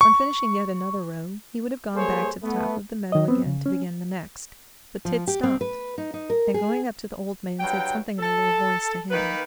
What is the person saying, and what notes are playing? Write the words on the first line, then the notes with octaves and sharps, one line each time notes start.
On finishing yet another row he would have gone back to the top of the meadow again to begin the next, but Tit stopped, and going up to the old man said something in a low voice to him.
C#6
G3 A#3 G#4 A4 C5 C#5
A3 B3
D#3 D#5
B3 C4
C#3
C#4
F3
G4
C4
B4
D#4
D#4
A#4
G#4
G2 F#3 G5
A4
D#3 A#3 B4